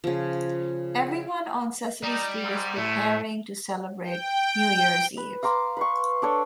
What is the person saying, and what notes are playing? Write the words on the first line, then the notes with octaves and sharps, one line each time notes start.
Everyone on Sesame Street is preparing to celebrate New Year's Eve.
C#3 F3
G3 D#4
G#2
C2 A2 A3
G5
B4
F5 A#5 C6 D6
B4 C6 C#6
D4 A4 C#5